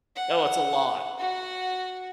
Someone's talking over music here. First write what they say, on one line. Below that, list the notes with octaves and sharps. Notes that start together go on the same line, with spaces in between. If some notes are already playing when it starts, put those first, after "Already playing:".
Oh, it's a lot.
F#5
F#4 F#5